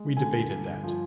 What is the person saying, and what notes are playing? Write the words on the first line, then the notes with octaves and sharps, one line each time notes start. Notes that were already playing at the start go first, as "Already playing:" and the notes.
We debated that.
Already playing: G#3
D3 G#5
G2
F3